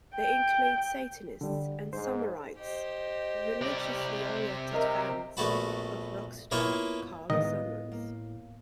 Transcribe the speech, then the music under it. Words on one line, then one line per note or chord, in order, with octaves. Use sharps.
They include Satanists and "Sommerites", religiously oriented fans of rock star Karla Sommers.
G5
D3 G3
G#2 C5
G4 C5 D#5
C3 D5
A#4 D#5 E5 A#5
A#1 A3 B3 F#4 A5 B5
A#3 B3 E4 F4 C#5 E5
A2 D#3 G#3 B3 F4 D#5
A#3